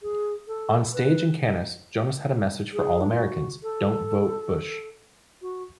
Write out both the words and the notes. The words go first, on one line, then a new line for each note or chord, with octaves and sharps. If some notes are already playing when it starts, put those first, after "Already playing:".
On stage in Cannes, Jonas had a message for all Americans: "Don't vote Bush".
G#4
A4
B4
G#4
D4
F4
F#4
A4
F#4